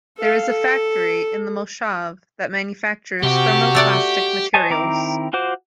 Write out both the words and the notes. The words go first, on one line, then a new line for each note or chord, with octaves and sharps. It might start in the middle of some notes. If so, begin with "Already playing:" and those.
There is a factory in the moshav that manufactures thermoplastic materials.
A4 F5
A4
C3 F#4 G4
A3 D5 F#5
C5 C#5 D#5 G#5 A5
D#3 C4 E4 A#5 D6
F4 F#4 C5 D6